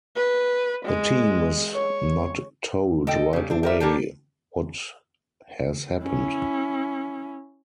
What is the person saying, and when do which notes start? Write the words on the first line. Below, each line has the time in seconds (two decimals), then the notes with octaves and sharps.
The team is not told right away what has happened.
0.16 B4
0.85 G#3
1.74 C#5
3.07 A4 D#5 G5
3.33 C#3 G3
3.50 C4 D4
3.63 G3 A#4 E5
3.80 A#3 D4 G4 A4
6.00 C#4 E4